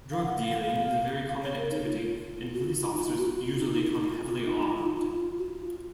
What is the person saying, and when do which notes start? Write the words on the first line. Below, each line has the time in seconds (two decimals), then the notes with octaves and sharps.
Drug dealing is a very common activity and police officers usually come heavily armed.
0.12 F5
0.23 F#5
0.43 F5
0.63 F5
1.44 C#5
1.57 A#4
1.71 D#4
1.84 F4
2.04 F4
2.54 F#4
2.65 F4
2.78 F4
2.92 D#4
3.05 F4
3.18 F#4
3.26 F4
3.32 F#4
3.46 F4
3.58 D#4
3.72 F4
3.84 D#4
3.95 F4
4.26 F4
4.45 D#4
4.66 F4
4.76 F4
4.86 D#4
4.96 F4
5.38 F#4
5.46 F4